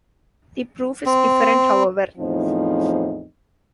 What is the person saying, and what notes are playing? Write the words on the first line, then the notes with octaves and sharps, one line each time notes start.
The proof is different, however.
C4
E2 A2 F3 C4 D#4